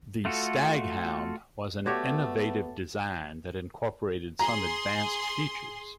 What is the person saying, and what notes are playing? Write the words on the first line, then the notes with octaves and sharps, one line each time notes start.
The Staghound was an innovative design that incorporated some advanced features.
A3 F4 F#4 A4
A3 B3 F#4 G4 C#5 D5 D6
G#4 A#5 C6